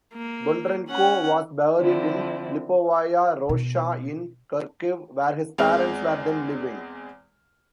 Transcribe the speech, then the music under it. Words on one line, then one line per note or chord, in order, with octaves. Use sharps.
Bondarenko was buried in Lipovaya Roshcha in Kharkiv, where his parents were then living.
A#3
C#4 F#5
D3 F3 C4 E4
B2
E2 G#3 C4 F6 F7